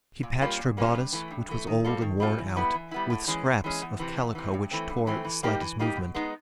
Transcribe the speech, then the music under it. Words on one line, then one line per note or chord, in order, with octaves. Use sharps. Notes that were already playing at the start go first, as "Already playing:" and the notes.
She patched her bodice, which was old and worn out, with scraps of calico which tore at the slightest movement.
A#2
G3 A#3 C#4 F4
A#2
G3 A#3 C#4 F4
G2
E3 A3
G2
E3 A3
D#3
G3 C4 F4 A4
D#3
G3 C4 F4 A4
E3
G3 B3 E4
E3
G3 B3 E4
A2
E3 G#3 C#4
A2
E3 G#3 C#4
E2
C3 E3
E2
C3 E3
G2
E3 A3 C4
G2
E3 A3 C4
E3
G3 A#3 D#4 G4
E3
G3 A#3 D#4 G4
B2
G#3 B3 D#4